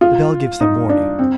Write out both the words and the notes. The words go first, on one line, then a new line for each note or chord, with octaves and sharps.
The bell gives them warning.
F4
D#4
D4
C4